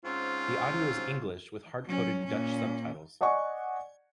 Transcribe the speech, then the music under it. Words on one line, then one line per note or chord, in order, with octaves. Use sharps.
The audio is English with hardcoded Dutch subtitles.
G#2 C4 C#4 F4
F#3 C#4
A#2 C#4
D5 D#5 F#5 G#5 C#6